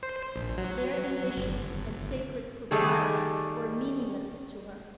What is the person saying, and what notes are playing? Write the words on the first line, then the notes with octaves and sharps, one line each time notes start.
Their ambitions and sacred proprieties were meaningless to her.
C5
A#1
F#3
G1
D#3 G3 A3 G#4